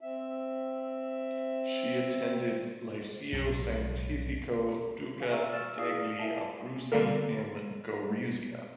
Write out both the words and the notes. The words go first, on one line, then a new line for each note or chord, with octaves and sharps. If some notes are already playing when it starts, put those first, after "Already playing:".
She attended liceo scientifico Duca degli Abruzzi in Gorizia.
C4 E5
B1 F2 A2
G#4 F5 G#5
E5 F5 A#5 C#6 E6
E6 F6 A6 E7
E4 G#4 D5 F5 D#6 C7
E4 A#4 E5 F5 G#5 A5
D3 G3 A#3 A4 A#4